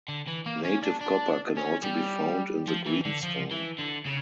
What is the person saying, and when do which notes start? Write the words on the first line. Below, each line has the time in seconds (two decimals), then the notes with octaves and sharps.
Native copper can also be found in the greenstone.
0.09 D3
0.28 E3
0.46 A#3
0.64 C#4
0.83 D4
1.01 D4
1.57 C#4
1.84 G3
2.67 F3
2.86 E3
3.05 D3
3.23 F3
3.51 E3
3.79 D3
4.06 C#3